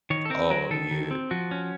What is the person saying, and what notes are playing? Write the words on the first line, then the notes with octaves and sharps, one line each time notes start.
Oh yeah.
D#3 C#5
A4
C4 A#4
F#3 A#4
D#3 A4
D#3
C4
F3 F#4
C#4